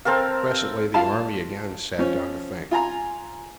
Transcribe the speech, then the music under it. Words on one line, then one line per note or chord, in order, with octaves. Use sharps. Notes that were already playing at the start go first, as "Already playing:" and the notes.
Presently the army again sat down to think.
C4 A4 A#4 F5
F4 F5 A5
F3 C#4
F4 G#5 A#5